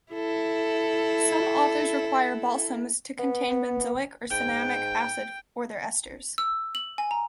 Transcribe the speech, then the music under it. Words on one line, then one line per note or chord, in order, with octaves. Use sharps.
Some authors require balsams to contain benzoic or cinnamic acid or their esters.
E4 A4
B3
G#2 G5
E6
F#7
G#5
A#5